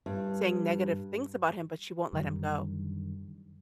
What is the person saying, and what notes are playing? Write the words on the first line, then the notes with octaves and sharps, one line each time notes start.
saying negative things about him, but she won't let him go.
G2
F#2 D3 D#3 G3